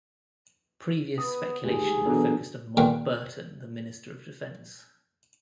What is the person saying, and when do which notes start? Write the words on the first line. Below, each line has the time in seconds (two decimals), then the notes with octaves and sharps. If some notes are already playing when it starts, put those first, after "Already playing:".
Previous speculation had focused on Mark Burton, the Minister of Defence.
1.18 B3 D#6
1.64 D2 D#3 G#3 G4 G#4
2.06 B2 E3 F#3 B3 D4 A4
2.77 G2 A#2 D3 D#3 G3 A#3